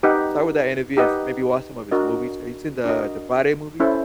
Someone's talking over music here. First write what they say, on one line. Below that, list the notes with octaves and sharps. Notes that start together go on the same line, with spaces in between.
start with that interview and s maybe watch some of his movies, have you seen the the Friday movies
D#4 G4 B4 D#5 F#5
D#4 G4 B4 D#5 F#5
D4 F#4 A#4 D#5
D4 F#4 A#4 D#5
C#4 E4 A4 C5